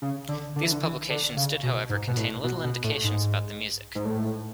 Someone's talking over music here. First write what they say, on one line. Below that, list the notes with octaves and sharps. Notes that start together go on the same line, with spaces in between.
These publications did however contain little indications about the music.
C#3
D3
D3
E3
D3
E3
D3
C#3
B2
G#2
B2
A2
B2
B2
A2
G#2
G#2
A2